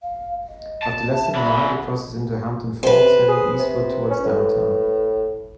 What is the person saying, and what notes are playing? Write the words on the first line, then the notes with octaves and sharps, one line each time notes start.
After less than a mile, it crosses into Hampton Falls, heading eastward towards downtown.
F5
D#5
A5
E5
D3 B5
C3 B4 C5
G#4
C3
C#4
A2